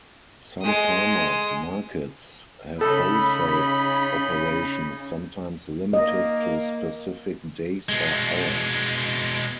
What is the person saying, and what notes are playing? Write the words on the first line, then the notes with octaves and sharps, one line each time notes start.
Some farmers' markets have wholesale operations, sometimes limited to specific days or hours.
G#3 D#6
C#3 D#4 A4 B5
A#3 D#5
B2 G#3